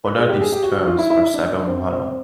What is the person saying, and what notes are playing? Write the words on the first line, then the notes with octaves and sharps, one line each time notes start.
What are these 'terms' for Cybermohalla?
B4
G#4
G4
G#4
G4
F#4
F#4
F4
E4
E4
D#4
D4
D4
C4
C4